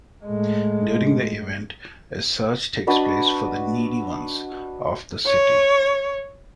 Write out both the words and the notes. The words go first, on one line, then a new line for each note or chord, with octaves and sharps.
During the event, a search takes place for the needy ones of the city.
A2 G#3
D4 F#4 B4 D#5
C#5